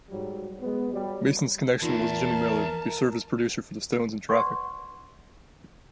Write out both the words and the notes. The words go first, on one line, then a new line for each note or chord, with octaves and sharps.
Mason's connection was Jimmy Miller, who served as producer for the Stones and Traffic.
G#2 F#3 G3
G#3 B3
F#3 G3
E2 D#4 F4 A#4 A5
B4 D5 F#5 C6 C#6